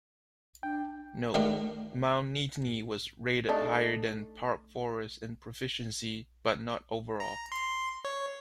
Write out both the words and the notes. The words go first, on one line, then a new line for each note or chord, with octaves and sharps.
Note: Mount Nittany was rated higher than Park Forest in proficiency but not overall.
D4 G5
D#3 G#3 A3 D4 F#4 A#4
A3 D4 D#4
A#5
C6
C#5